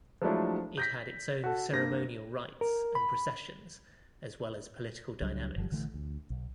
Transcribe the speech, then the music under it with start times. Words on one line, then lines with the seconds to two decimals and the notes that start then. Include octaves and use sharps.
It had its own ceremonial rites and processions as well as political dynamics.
0.22 F3 F#3 G#3 A3 D4 E4
0.77 G6 A#6 B6
1.44 F#4 A4
1.71 G2 A#3 A#6
2.61 A#4
2.95 B5
5.22 C#2 F#3 G3 D4
5.56 G1 F3 G3
5.71 A#1 D3 E3 A3
5.94 D2
6.30 B1